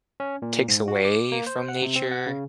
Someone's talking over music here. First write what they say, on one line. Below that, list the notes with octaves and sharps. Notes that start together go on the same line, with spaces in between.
takes away from nature?
C#4
A#2
G#2
F#4
D6
A#3
C5
F#5
C3
C4
F#5
C#3